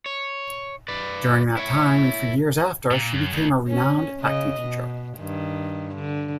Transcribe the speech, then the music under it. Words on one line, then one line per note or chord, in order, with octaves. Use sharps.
During that time, and for years after, she became a renowned acting teacher.
C#5
B4 D5
E4 C#5
A#2
F#2
D2
C#4
C#3 D#5
B2
G2 D#3
D3